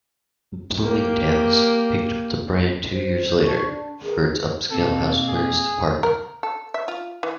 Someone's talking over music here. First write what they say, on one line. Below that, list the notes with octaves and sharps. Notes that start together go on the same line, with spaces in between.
Bloomingdale's picked up the brand two years later, for its upscale housewares department.
A#3 G4
C5
D#4 A5 C#6
D4
G#4 A#4 B4
B2 A#3 C4 A4
G#4
A#4
A4
E5
F4
E3